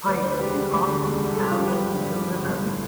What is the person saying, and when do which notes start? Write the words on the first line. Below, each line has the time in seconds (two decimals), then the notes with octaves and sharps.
Pike can also be found in the river.
0.07 D2 B4
0.15 D5
0.23 D3 C5
0.31 B4
0.39 E1 G4
0.55 G3
0.72 D2
0.87 D3
1.03 E1
1.20 G3
1.35 G2 A4
1.43 G4
1.51 F3 F4
1.60 G4
1.67 G1 B4
1.84 G1
1.99 G2
2.15 F3
2.32 G1
2.48 G1
2.63 A2